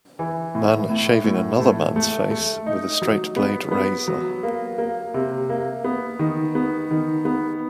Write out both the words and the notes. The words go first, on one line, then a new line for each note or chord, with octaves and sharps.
Man shaving another man 's face with a straight blade razor.
E3
A2
A2
A2
A3
A3
A3
D#4
F#3
B3
B3
F#3
A#3
A#3
C3
A#3
B3
D#3
B3
D#3
B3